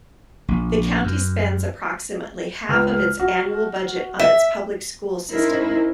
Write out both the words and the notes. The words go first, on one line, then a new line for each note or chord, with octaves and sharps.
The county spends approximately half of its annual budget on its public school system.
A#1
F#2
C#2 B4 F6
F#4
E5 B6
C#4 D#4 E4 A#4 C5